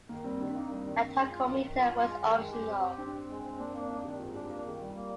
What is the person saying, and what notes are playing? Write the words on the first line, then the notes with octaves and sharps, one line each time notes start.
A tachometer was optional.
D#3 A#3
G3 C4
D#3 D4
A#3 D#4
G3
D#3
D#3
G#3
F4
D#3
D#3
F4
F4
G#3
D#3
G#3
G4
C4
G4
C4 D4
C4
G#3
C4
A#3 D4
A#3 C4
D4 D#4
D#3 G4
G#2 F4
D4 G4
A#3 A#4
D#3 G#4
G3
A#3